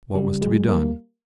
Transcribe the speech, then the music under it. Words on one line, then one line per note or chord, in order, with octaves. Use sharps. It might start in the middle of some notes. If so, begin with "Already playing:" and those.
What was to be done?
C#3 G3
F#3 G#3
G3 A#3